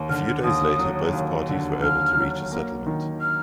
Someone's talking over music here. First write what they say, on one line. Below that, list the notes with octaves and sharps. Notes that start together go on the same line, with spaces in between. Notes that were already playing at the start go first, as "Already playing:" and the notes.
A few days later both parties were able to reach a settlement.
Already playing: D#2
D3 F6
F6
D#2 D#6
F#3
D#2
D3
D#2 F6
F#3
A#3
D#3
F6